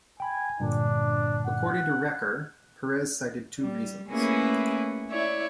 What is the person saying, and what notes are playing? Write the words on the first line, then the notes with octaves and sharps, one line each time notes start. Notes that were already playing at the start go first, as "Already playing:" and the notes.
According to Reker, Perez cited two reasons.
G5 G#5 B5
G2 A#2 D3 D4
F#5
G3
A3 A#3 C#4 E4 G#4 B4
E4 C#5 D5 E5